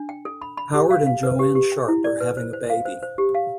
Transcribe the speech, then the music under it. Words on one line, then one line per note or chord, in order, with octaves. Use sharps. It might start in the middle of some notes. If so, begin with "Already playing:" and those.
Howard and Joanne Sharp are having a baby.
Already playing: D4
G5
A4
B5
B5
G4
F5
F5
B4
G4
G4
G5
E4
D5
B4
C5
C5
F5
C5
C5
G4
F5